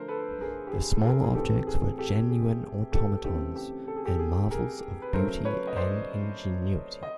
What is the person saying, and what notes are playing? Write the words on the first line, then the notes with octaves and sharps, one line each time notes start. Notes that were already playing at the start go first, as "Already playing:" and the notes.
The smaller objects were genuine automatons, and marvels of beauty and ingenuity.
Already playing: D3 F3 A3 A#4 C5
A4 B4
G#4 A#4
G4
G#4
A4
G#4 A#4
G#4
A2 E3 A3 C4 G4 A4
G4
G#4
G4 A4
G#4
G4 A4
C#3 E3 A3 C4 G4 A4
G4
A4
G#4
G4 A4
G#4
G#4 A#4
B4
C#3 F#3 A3 A#4 C5
B4 C#5
D#5
C5 D5
D#5